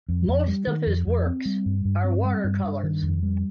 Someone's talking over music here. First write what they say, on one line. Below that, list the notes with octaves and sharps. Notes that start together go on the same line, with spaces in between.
Most of his works are watercolours.
F2
F2
G3
D#3
F2
F2
C4
G3
G2
G2
C4
G3
G2
G2
D#3
F2
G3